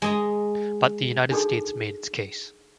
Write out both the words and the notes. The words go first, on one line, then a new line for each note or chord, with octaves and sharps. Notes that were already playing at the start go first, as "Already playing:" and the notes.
But the United States made its case.
G#3 D#5 A#5
D4 D#4 F#4 G#4 A4